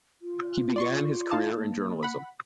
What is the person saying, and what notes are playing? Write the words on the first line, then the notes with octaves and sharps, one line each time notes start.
He began his career in journalism.
F4
D5 C6 C#6
D#4 F5 A5
A#3
F#5 B5